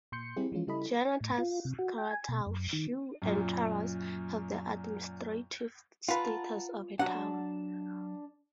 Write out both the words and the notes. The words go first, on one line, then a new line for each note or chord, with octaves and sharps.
Janatas, Karatau, Shu, and Taraz have the administrative status of a town.
A#2 C6 G6 C#7
G3 C4 E4 G4 G#4
E3 F3 G#3 C#4 F4
C#3 G3 E4 A4 D#5 B5
A2
F4
C3
F#4
G5
G#5
B2
F#2
D#3
F#2 A#2
F4 B4 F#5 A5 A#5
F#3 D4 F#5 A5